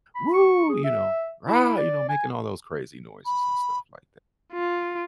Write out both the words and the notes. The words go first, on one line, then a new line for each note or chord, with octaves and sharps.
"Woo!" you know, "Rah!" you know, making all those crazy noises and stuff like that.
B5
C#6
G#4
E5
E4
D5
G#5
B5
F4